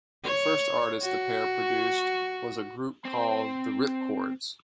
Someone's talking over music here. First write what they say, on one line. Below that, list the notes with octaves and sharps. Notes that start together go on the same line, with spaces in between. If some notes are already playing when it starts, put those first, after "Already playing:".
The first artist the pair produced was a group called the Rip Chords.
C#5
F#4
C4 C5